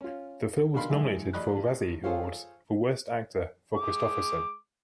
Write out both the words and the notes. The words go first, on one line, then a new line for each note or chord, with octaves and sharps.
The film was nominated for a Razzie Awards for Worst Actor for Kristofferson.
C#4 F4
B2 D#3 D4 F5 B5 C6
B1 G#2 G#4 E5
A1 D5 D#5 B5 F#6
F4 G#4 A4 C5 C#5 F5
G#3 D6